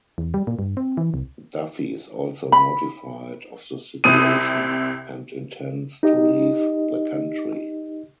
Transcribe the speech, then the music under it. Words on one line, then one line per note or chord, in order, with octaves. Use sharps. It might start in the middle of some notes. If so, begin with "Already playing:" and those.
Duffy is also notified of the situation and intends to leave the country.
E2
G3
A#2
G2
C4
E3
C2
B5
C2 C3 D#6 D#7
D#4 G4 D#5